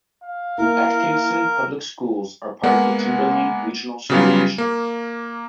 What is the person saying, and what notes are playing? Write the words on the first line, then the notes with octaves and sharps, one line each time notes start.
Atkinson Public Schools are part of the Timberlane Regional School District.
F5
A#3 E4 A#4
G#3 A#3 B3 F#5
C#3 F#3 G3 B3 C#4 F4
A#3